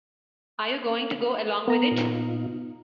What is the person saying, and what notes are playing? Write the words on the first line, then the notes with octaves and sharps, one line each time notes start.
Are you going to go along with it?
B3 A#5
A#2 D#4 F4